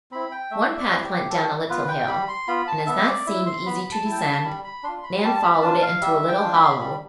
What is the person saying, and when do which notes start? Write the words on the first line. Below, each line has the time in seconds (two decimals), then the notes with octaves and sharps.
One path went down a little hill, and as that seemed easy to descend, Nan followed it into a little hollow.
0.11 C4 E4 B5
0.32 G5
0.51 A3 E5
0.77 D5
0.90 C4 E4
1.04 G4
1.30 G3 A4
1.69 B3 F4 B4
1.88 G5
2.08 G3 B5
2.28 C6
2.48 B3 F4 B5
2.67 A5
2.86 B3 E5
3.06 D5
3.27 E4 E5
3.46 C6
3.66 B3 B5
3.92 A5
4.05 E4
4.12 G5
4.18 A5
4.44 G3 B5
4.64 B5
4.83 D4 F4 C6
5.04 B5
5.23 G3 A5
5.36 A5
5.43 B5
5.62 D4 F4 A5
5.82 F5
6.01 G3 E5
6.28 G5
6.41 D4 F4
6.55 B5
6.63 C6
6.70 B5
6.81 G3 B5